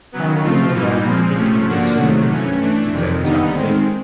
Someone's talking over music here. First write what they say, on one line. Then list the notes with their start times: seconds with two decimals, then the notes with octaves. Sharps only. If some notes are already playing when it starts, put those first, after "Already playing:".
"I wonder why you hate him so," he said softly.
0.12 C#3 F#3 B3
0.43 F3 A3 C4 F4
0.74 G#2 E3 G3 A#3 D#4
1.05 A#2 F3 G#3 C4
1.36 C3 F3 A3 C#4
1.67 D3 F3 A#3 D4 F#4
1.98 C3 D#3 F#3 A3
2.29 G2 E3 A3 C#4
2.61 E3 A3 D4
2.91 F2 C3 D#3
3.22 D#2 D3 G3 B3 D#4
3.54 D#3 G#3 C4